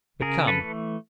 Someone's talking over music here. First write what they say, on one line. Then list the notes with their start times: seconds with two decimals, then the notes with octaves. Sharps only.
But come!
0.21 C#3 G#4 A#4
0.47 A4 B4
0.60 E3 A3